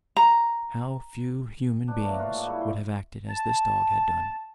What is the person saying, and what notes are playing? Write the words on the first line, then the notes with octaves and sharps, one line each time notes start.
How few human beings would have acted as this dog had done!
A#5
B2 F#3 D4
A3 A#3 D4
A#3 F4 F#4 A#4
G#2
G3 E4 C#5
C6
A5